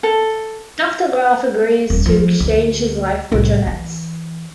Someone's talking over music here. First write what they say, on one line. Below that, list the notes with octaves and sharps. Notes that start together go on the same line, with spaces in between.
Doctor Garth agrees to exchange his life for Janet's.
A4
D#1
F3
D2
C2 A2
E3